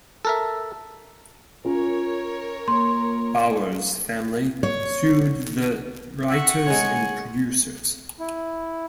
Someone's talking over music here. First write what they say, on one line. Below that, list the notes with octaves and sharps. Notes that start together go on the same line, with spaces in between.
Bowers' family sued the writers and producers.
A4 A#4 E5
C#4 F4 A#4 C#5
A#3 C6
C#5
E5 F#5 C#6
G#3 C#5 G#5
E4